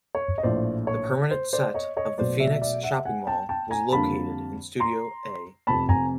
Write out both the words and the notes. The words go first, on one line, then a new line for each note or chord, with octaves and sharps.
The permanent set of the "Phoenix Shopping Mall" was located in Studio A.
C#5
D#5
A#1 A2 F3 A3 C5 D5
C#5
C5
C5 D5
C#5 D#5
C#5 D#5
B1 B2 F#3 A3 C5 D5
D5 E5
D5 E5
E5 F#5
F#5 G#5
G5 A5
G5 A5
G#5 A#5
F2 D3 G3 A#3 A5 B5
A#5 C6
F1 F2 C3 A5 B5
G#5 A#5